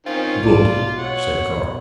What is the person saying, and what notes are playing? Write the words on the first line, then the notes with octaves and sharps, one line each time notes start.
"Good," said Carl.
D#3 C4 C#4 F4
B1 D5
B2
C#5 F#5